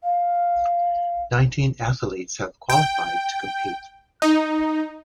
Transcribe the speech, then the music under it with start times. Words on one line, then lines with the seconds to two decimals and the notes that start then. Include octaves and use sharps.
Nineteen athletes have qualified to compete.
0.04 F5
2.70 G5
4.22 D#4